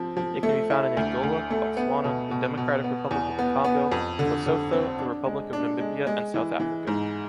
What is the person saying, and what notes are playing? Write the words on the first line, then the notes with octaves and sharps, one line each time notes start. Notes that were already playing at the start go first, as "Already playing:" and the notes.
It can be found in Angola, Botswana, the Democratic Republic of the Congo, Lesotho, the Republic of Namibia and South Africa.
Already playing: F3 C4
F3
A3
E4
D2
D2
A3
B3
B2
B2
B2
B3
E2
B3
B3
F2
D3
D3
C4
D4
G#3
D4
G#3
G#3
E3
E3
G#2